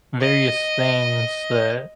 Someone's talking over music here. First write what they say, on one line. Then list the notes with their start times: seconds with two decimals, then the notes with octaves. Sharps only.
various things that
0.21 D#5